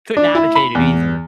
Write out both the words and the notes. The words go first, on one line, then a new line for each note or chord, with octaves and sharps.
couldn't advocate it either.
D4
E4
B5
E2